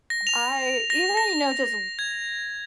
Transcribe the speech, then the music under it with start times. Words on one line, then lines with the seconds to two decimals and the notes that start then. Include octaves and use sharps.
I, even, you know just
0.10 A#6
0.27 F7
0.90 A#6
1.17 A#6
1.99 G#6